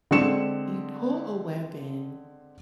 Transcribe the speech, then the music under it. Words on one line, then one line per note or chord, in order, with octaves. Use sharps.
You pull a weapon,
D3 G#3 C4 C#7 E7